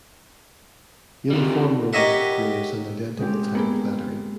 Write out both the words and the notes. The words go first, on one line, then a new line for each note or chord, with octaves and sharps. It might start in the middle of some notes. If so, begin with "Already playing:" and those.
Uniform rows of graves and identical type of lettering.
D#3 G3 C4 F#4
G4 A#4 C#5 D#5 E5 F#5
G#3 C4 G4
A#3 B3 G#4